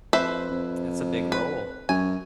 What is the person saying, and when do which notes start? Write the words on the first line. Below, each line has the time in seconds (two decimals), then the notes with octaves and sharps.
That's a big role.
0.13 F2 B4 C5 E5
0.51 F2
1.32 B4
1.89 F#2 G#5